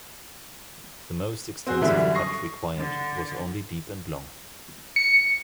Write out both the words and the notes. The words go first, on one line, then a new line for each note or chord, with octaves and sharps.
The most extensive cut required was only deep and long.
C4 F#4 G#4
F#2 D3 E3 G3 D4 E4
C#6 D#6 A#6 C7
D3
C#7